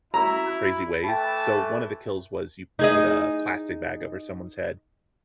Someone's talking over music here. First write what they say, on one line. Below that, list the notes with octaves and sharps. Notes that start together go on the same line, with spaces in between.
your crazy ways. So, one of the kills was you put a plastic bag over someone's head.
E4 F#4 A#5 E6
E3 A3 G5 A5 B5
D#4 G#4 D#5